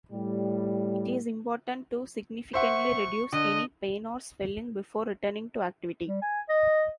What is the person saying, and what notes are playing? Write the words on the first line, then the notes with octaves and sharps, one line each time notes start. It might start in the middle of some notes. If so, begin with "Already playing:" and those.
It is important to significantly reduce any pain or swelling before returning to activity.
A2 G3
C5 E5 F#5 C#6
D3 D#5
G3
G#5
D#5